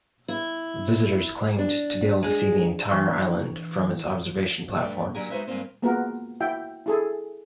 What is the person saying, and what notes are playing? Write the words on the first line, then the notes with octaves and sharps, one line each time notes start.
Visitors claimed to be able to see the entire island from its observation platforms.
E4
D4
G#3
E3 D4 C#6
G2 A3 D4 A4 G5
A#2 F#3 D4 G4 A#4 G#5
G#3 D#4 F#4 B4 C5 E5
G2 C3 G#3 A#3 C4
G#3 A#3 B3 F4 F#4 A#4
E4 F#4 E5 G5
E4 G#4 A4